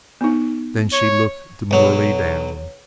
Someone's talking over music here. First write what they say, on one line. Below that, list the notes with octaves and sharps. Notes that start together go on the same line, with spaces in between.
Then she looked demurely down.
B3 D#4
C#5
B1 F#3